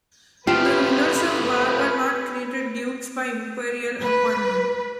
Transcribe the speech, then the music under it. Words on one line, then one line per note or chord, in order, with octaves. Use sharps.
The rulers of Bar were not created dukes by imperial appointment.
F3 A3 F4 G4 B4
B4